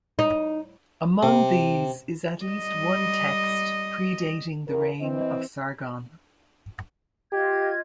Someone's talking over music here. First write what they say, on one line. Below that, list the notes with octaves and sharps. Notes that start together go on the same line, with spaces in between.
Among these is at least one text predating the reign of Sargon.
D#4
C3
G3 D#5
E2 A#4
E3 C4 D#5
F4 G4 D#5 G#6